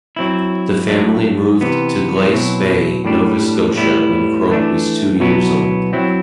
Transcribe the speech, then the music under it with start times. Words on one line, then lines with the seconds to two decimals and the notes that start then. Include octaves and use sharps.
The family moved to Glace Bay, Nova Scotia when Croak was two years old.
0.16 F#3 C4 E4
0.88 F#3 A3 D4
1.61 C3 E3 B3
2.33 B2 F#3 C4 E4
3.05 A2 G3 D4
3.76 A2 G3 B3 E4
4.49 E3 A3 D4
5.20 B2 F#3 B3 E4
5.93 F#3 C4 E4